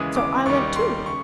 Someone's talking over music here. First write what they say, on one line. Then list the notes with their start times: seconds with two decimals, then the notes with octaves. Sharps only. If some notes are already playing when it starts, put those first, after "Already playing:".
So I went too.
Already playing: D#2 C#3 E3 G#3 D#6
0.16 D6
0.46 D#2 D#3 G3 C#6
0.76 C6
1.06 C#3 C#6